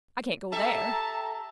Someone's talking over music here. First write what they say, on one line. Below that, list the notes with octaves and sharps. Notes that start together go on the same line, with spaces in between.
I can't go there.
G4 A4 E5 A5 A#5